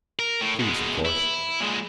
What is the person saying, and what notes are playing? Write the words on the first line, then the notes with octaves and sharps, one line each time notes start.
Thieves, of course.
A#4
A2
B2 G#3
E4
A#2 G#3